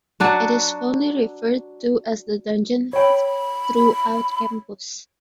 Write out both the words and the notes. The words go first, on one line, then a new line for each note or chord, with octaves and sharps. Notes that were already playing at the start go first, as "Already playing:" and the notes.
It is fondly referred to as "The Dungeon" throughout campus.
F#3 D4 F#4
C#5 G5 B5